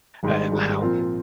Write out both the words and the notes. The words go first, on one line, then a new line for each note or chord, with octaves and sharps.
uh, in the house
G#1 G#2 G3
G#1 G#2 G3
A#2 F3 C4 F4 A#4